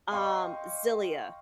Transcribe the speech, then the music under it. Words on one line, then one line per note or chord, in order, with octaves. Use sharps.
um, Xillia.
D#5 F5 G5 C6 C#6